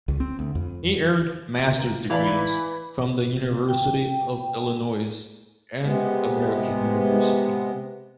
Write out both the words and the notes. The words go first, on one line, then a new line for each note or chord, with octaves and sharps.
He earned master's degrees from the University of Illinois and American University.
C#2
C4
D2
F2
A#3
E3 E4 D5 F5 A#5 B5
G5
C3 G#3 B3